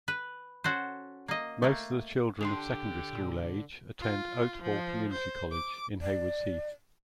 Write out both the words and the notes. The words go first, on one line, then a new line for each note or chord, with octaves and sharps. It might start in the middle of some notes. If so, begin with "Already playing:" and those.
Most of the children of secondary-school age attend Oathall Community College in Haywards Heath.
B4
C#4 F#4 A4 C5
A#3 D#5
A3 A#3
D3 D4 G4 C6 C7 F7
A#2
F4
F3
C5
D6
D5